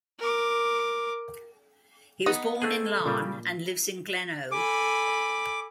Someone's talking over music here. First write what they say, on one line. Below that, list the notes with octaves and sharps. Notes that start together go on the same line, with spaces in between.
He was born in Larne, and lives in Glenoe.
A#4 D6
B3 D#4 D#5
A3 C4 G#4 A4
A#2 C#3 G3
A4 G#5 B5 D6